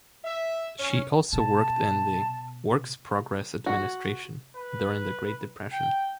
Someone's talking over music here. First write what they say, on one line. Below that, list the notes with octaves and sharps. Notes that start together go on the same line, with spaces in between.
She also worked in the Works Progress Administration during the Great Depression.
E5
C#4
B2 A5
F#4
B4
G5